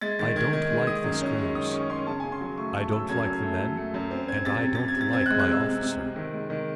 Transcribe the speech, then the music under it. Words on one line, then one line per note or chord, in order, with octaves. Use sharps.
I don't like this cruise; I don't like the men; and I don't like my officer.
G#3 A6
D#3 A6
D#3 G#6
D#3 G#6
G#3
D#3 D#6
F#2
C#4
G#3
D#3 D#6
C#4 C#6
C#4 C6
C#3 A5
G#5
C#3
C6
F#3
A3 C#6
A3 C#6
F#3 E6
F#2 G#6
F#2
A3
A3
A3
F#2
C4
C4 G#6
C3 A6
C3
A6
C3
G#6
C3 A6
C4 G#6
F#6
G#3
F#6
C3 E6
C3
C3
C3
D#3
G#3
D#3